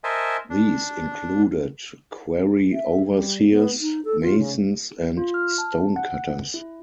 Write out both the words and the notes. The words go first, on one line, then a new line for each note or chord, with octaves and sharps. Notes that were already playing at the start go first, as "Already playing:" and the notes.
These included quarry overseers, masons, and stonecutters.
A#4 C5 D#5 E5 G#5 A5
D4
E5
G3
B3
D#4
A4
F4
C#3
F4
F6
A5
F#5
E4